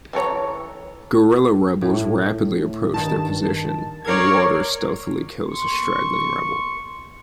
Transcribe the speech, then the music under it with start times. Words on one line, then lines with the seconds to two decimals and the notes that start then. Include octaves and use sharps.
Guerrilla rebels rapidly approach their position, and Waters stealthily kills a straggling rebel.
0.13 E3 A4 C#5 A#5
1.82 A2
2.94 G2 D#3 A5
4.05 A#4 C#5 D5 G#6 C7
5.52 C6 C#6